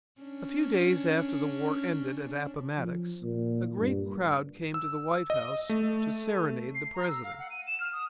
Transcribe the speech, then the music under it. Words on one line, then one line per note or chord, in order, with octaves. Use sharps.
A few days after the war ended at Appomattox, a great crowd came to the White House to serenade the President.
C#4 D4
F3
A#2
G2
E6
D#5
A3
C7
A#5
E6
F5
F#5
D#7
E7
F6
D#6